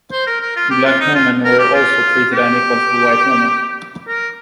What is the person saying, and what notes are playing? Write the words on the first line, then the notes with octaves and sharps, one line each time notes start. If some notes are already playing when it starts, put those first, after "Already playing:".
Black women were also treated unequal to white women.
C5
A#4
A#4
F4
G4
F4
D#4
F4
A#4
G4
F4
G4
A#4